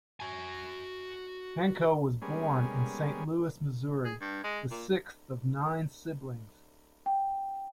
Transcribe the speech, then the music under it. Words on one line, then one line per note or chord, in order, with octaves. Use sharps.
Pankow was born in Saint Louis, Missouri, the sixth of nine siblings.
F#4 G#5
G3 G#3 A#3 B3 C#4 G#4
G#4
G2
G#3
A#2
G5